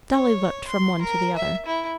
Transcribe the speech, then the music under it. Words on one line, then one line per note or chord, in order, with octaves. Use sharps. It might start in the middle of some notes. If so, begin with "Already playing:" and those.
Dolly looked from one to the other.
C#5
C6
A#4
E5
E4